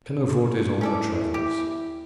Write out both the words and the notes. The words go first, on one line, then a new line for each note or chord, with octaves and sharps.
Pianofortes on Their Travels.
C#4 E4 A4 D5
G4